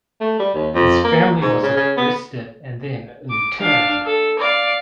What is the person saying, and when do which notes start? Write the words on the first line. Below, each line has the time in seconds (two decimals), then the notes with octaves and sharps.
His family was arrested and then interned.
0.21 A3
0.39 G3
0.54 D#2
0.74 F2
1.04 A#3
1.42 G#2
1.63 C#3
1.77 C#3
1.97 B3
3.30 D6
3.60 D4 F5
4.06 A4
4.39 D5 F5